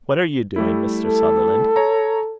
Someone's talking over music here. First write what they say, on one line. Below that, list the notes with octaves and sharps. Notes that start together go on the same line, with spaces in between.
"What are you doing, Mr. Sutherland?"
G3 A3 E4
A4
C#5 A#5